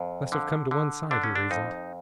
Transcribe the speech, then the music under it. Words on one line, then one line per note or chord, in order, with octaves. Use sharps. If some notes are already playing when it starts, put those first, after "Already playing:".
"Must have come to one side," he reasoned.
Already playing: F2
D3
D3
D3 D4
C#4
D4
F2 D#4